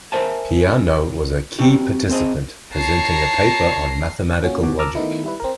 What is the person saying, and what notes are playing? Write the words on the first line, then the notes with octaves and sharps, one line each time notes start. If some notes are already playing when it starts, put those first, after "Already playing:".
Peano was a key participant, presenting a paper on mathematical logic.
A#4 C5 E5 G#5 A5
C4 D4 F#4 G4
C4 G#4 C5 D#5
C#5 A5 A#5 C7
A#3 C#4 F#4
G#1 D2 B2 E3 F#4 D6
A5 A#5 D6 E6 F6
D#3 A3 B3 D#4 E4
G3 E4 B4
C4 A#4